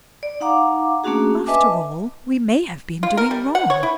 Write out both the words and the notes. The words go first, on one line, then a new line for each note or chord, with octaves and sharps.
'After all, we may have been doing wrong.
D5
D#4 F5 F#5 A#5 D6
A3 A#3 C#4 D4 F#4 G#4
B4 D#5 E5 G#5 A5 D6
F4
A#4
G3
F#5
C#5
E4